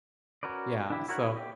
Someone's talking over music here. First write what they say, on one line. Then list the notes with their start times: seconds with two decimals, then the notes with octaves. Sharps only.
Yeah. So,
0.43 C#4 F#4 A#4 B4 D5
0.90 D4 E4 G4
1.08 E4 F#4 A#4 C#5 F#5
1.25 E4
1.37 G4